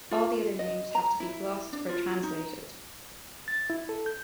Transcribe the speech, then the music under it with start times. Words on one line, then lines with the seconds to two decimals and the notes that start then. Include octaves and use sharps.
All the other names have to be glossed or "translated".
0.11 F4
0.59 D#5
0.95 A#5
1.20 E4
1.73 D4
1.89 F4
2.23 D#4
3.48 A6
3.70 E4
3.89 A4
4.06 G6